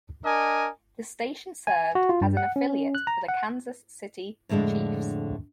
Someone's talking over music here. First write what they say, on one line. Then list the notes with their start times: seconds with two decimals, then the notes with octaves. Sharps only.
The station served as an affiliate for the Kansas City Chiefs.
0.24 D4 A#4 D#5 G#5
1.67 G#5
1.95 F#4
2.09 F4
2.21 G2
2.37 F#5
2.56 C#4
2.95 F#6
3.07 A#5
3.28 F#5
4.49 F2 A2 D3 G#3 D4